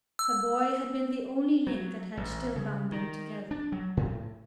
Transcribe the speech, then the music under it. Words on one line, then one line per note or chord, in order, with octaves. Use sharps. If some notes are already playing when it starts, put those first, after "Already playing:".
The boy had been the only link that had still bound them together.
E6
F#3
A1
C#3
D#3
D4
F#3
A2